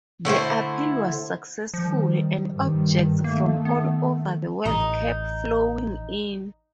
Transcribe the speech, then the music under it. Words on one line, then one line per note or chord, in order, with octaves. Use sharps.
The appeal was successful and objects from all over the world kept flowing in.
D3 A3 E4 C5
D#3 F3 G3
G2 D#3 G3
D#3 A3 A#3
B3
A1 D#4